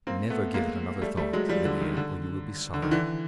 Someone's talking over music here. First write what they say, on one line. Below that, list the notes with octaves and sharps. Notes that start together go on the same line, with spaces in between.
Never give it another thought, Villiers, or you will be sorry.
A#3 C4
A3 B3
G#3 A#3
G3 A3
G3 A3
F#3 G#3
F3 G3
D3
D#3
D3
D3
D#3
D3 E3